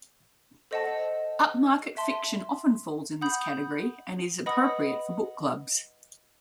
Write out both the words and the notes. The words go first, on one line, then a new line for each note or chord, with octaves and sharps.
Upmarket fiction often falls in this category, and is appropriate for book clubs.
A4 C5 D#5 F#5 A5
E5 A5 C6
F#5 B5 D#6 G6
B4 D#5 F#5 B5 D#6